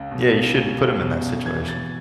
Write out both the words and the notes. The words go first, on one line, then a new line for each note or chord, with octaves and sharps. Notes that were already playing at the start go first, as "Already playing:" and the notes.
Yeah. You shouldn't put 'em in that situation.
Already playing: C#2
B2
C#2
B2
E3 G#6
A6